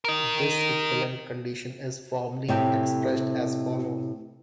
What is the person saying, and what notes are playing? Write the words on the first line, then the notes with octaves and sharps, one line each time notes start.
This equivalent condition is formally expressed as follow.
A#4 D#5
A2 C3 G5